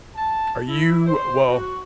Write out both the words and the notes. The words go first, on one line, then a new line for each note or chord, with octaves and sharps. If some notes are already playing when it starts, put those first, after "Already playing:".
Are you well,
A5
E4
C5
F#4